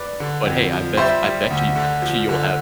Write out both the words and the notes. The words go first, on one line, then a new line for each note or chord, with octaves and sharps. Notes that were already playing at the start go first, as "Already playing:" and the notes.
But hey, I bet I bet you I bet you you'll have
Already playing: B4 D5
D3
F2
F3
G3 C5 E5
G3
D2
D3
F3
D3